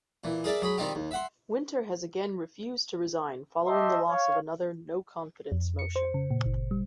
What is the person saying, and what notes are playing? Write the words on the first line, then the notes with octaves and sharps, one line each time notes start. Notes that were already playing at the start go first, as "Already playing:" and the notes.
Winter has again refused to resign following the loss of another "no-confidence" motion.
A#2 E3
G#4 A#4 D5 E5 A5
F#3 G#4 B5
D#3 G3 C4 D#4 F4 G4
D#2
E5 F#5 C6
G4 D#5 E5 A5 C6
C#5 F5
F2
C#7
C5
C#3
A#2
G1
G3